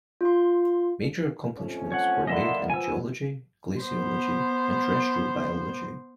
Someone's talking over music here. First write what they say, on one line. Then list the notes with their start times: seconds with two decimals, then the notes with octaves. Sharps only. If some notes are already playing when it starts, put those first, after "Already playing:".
Major accomplishments were made in geology, glaciology and terrestrial biology.
0.21 F4 C6
1.56 F2 A3 C#4
1.92 C#5 F#5
2.27 D3 A#3 B3 D#5 E5 C6
2.70 F3 B3 G#5 E6
3.81 B3 C5